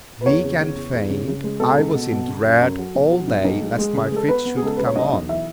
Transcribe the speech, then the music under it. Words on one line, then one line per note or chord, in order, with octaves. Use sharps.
Weak and faint, I was in dread all day lest my fit should come on.
B4
E2 C#5
C#3
E2
E2
E2
C#3
C#3
G#3
B2 A4
C#2
B2
B2
C#3
F#2
F#2
F#3
B1
F#3
B1
B1
G#3
G#3
C#3
G#4
G#3 A4
B3 B4
B3
G#4
C#2 A4
C#2 B4
C#5
B1 D#5
B1
E3 E5